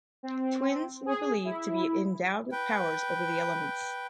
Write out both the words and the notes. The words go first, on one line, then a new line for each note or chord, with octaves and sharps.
Twins were believed to be endowed with powers over the elements.
C4
G#4
E4
B4 G5